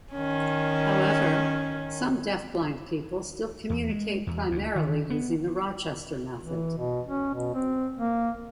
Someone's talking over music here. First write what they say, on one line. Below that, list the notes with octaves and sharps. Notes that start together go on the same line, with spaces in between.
However, some deafblind people still communicate primarily using the Rochester Method.
D#3 C#4
E2
G#3
E2
D2
D#3
B3
E3
B2
C#4
B2
C4
A#3